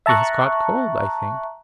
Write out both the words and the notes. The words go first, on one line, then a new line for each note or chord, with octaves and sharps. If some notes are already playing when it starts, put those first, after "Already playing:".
"He has caught cold, I think?"
E5 A5 A#5 C#6 F#6